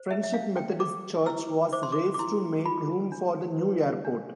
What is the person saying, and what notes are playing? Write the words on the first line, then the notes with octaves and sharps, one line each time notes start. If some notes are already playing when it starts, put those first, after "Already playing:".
Friendship Methodist Church was razed to make room for the new airport.
Already playing: C5
E5
E5
D4 F5
G5
A4 D6
E4 E6
C5 D6
C6
D6
D6
E4 C6
F4 B5
D4
B4
D4